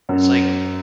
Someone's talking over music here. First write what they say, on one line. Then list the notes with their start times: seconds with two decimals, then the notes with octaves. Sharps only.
It's like, eh,
0.09 F#2